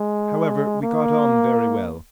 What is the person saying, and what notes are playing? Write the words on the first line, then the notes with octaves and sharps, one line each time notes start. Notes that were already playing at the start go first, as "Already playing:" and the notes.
However, we got on very well.
Already playing: G#3
A#3